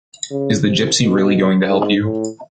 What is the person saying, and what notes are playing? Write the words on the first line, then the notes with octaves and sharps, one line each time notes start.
Is the gypsy really going to help you?
C#3
C3
B2
G#2
A2